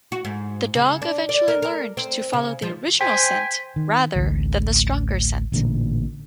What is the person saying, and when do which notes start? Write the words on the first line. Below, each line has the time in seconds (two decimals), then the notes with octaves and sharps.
The dog eventually learned to follow the original scent rather than the stronger scent.
0.12 F#4
0.25 G#2
0.75 C#3
1.02 D4
1.29 D5
1.48 A#4
1.62 A#4
1.97 C4
2.33 C#3
2.62 F3
3.01 C5 G5 G#5 B6
3.76 D#3
4.16 A1 D2 A2
5.52 A1 A#2 D3